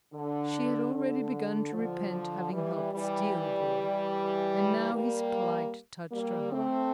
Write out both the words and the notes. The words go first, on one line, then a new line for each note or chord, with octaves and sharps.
She had already begun to repent having helped steal the boy, and now his plight touched her heart.
D3
D3
D3 F3
E3 G3
E3 G3
G3 A#3
G3 A#3
A3 C4